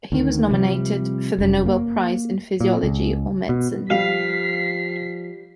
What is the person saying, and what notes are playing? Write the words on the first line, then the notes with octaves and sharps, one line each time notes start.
He was nominated for the Nobel Prize in Physiology or Medicine.
D2 D#3
C3 F3 G3
F1 F#2
A#3
A#2
C#2
B2
F3 G3 F5 B6 C7